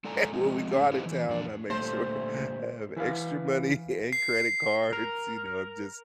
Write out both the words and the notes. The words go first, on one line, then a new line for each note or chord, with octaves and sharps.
when we go outta town, I make sure I have extra money and credit cards. You know, I'm just
G#3 A4 D5 G#5 A#5
F3 G#3 A3 C4 F4 D#5
A2 D3 B3 C#4 G#4
E4 G4 B4 C5 D#5 F5
E3
F2 D4
A#2 D3 G3 A3 C5
E3 B4 F5
C7
A#4